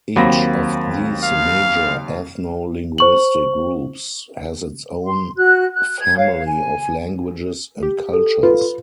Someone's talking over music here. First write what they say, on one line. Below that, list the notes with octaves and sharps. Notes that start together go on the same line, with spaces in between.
Each of these major ethno-linguistic groups has its own family of languages and cultures.
D#2 F#3 A#3 C4 B5 A#6
F5
C5 C#6 F#7
C6
F#4 F#6
F#6
G#6
C#5 F5
G#5
G4
A4
F4 B4